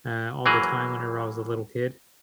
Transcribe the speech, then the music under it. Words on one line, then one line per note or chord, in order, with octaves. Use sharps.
uh, all the time whenever I was a little kid,
E3 F#3 A#3 G#4